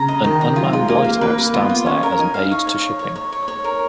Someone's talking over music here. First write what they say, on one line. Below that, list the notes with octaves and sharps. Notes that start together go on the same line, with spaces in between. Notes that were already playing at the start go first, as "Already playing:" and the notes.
An unmanned lighthouse stands there as an aid to shipping.
Already playing: C#3 A#5
D#5
D#3 D#5
A#5
F#3 F4
G#3 F4
A#3 F4
A#3 F5
A#3 B4
B4
B3 F4
F4
C#4 C#5
A#4
D#4 G#5
F5
C#5
C#5
C#5
C#5
C#5
C#5
C#5
A#4